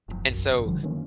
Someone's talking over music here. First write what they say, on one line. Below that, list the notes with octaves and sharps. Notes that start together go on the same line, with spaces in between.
And so,
F#1 A2 F#3
B1 F#2
G#1 F#2 C#3
D3 F3 G3
D#3 F#3 A#3 C#4